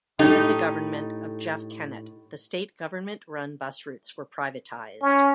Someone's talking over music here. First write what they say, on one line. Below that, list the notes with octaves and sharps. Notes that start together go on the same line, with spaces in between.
Under the government of Jeff Kennett, the state government-run bus routes were privatised.
A2 D#4 G4 A4
C#4